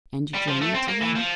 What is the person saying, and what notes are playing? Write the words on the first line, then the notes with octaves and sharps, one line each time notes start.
"And you journeyed to them?"
G3
F3
A3
C4
A#3
E3
F3